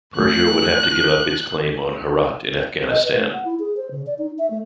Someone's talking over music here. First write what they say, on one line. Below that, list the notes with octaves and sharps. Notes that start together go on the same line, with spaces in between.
Persia would have to give up its claim on Herat in Afghanistan.
A3 F#6
D#5
B4
A3
F#5
E4
G#4
C5
C#3
D5
D#4
E5
A3